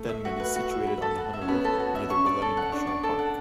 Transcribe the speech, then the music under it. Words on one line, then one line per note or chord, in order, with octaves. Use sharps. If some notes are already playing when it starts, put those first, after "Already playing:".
Denman is situated on the Hunter River near the Wollemi National Park.
Already playing: A3
E5
F#4
B4
F#4
E5
B5
A4
F#4
E5
C#4
B3 B5
A4
F#4
E5
C#4 C#6
D5
A4
F#5
D4 C#6
D5
A4
F#5